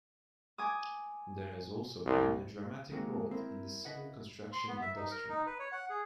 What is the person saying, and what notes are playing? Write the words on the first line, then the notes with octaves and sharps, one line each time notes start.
There has also been a dramatic growth in the civil construction industry.
G#5 D6 D#6
C2
D#3 G#3 A#3 C4 F#4
C4 E4 A#4
B4 D#5 F#5
C6
B3
E5
D#4
A#4
D#4
B4
C#5
F#5
G#4